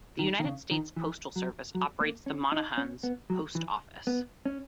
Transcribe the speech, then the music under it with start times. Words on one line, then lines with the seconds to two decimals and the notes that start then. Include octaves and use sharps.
The United States Postal Service operates the Monahans Post Office.
0.19 D#3
0.39 D#3
0.45 C#3
0.71 D#3
0.96 E3
1.36 F#3
1.75 F#3
2.00 A#3
2.26 C#4
2.52 D#4
2.78 C#4
3.03 B3
3.30 F#3
3.55 E3
4.07 B3
4.46 C#4